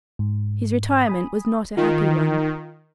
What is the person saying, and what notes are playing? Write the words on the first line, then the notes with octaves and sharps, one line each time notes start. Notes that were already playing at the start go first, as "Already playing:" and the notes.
His retirement was not a happy one.
G#2
G#5 B5 D#6
D#3 F4